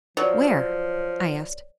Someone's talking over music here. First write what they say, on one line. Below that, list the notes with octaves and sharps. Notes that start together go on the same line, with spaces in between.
"Where?" I asked.
F3 F#3 B4 C#5 D5